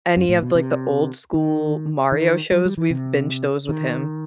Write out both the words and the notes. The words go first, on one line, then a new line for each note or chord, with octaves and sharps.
any of, like, the old school Mario shows, we've binged those with him.
F#2
A2
B2
C3
D#3
D#3
F#3
G3
E3
C3
D#3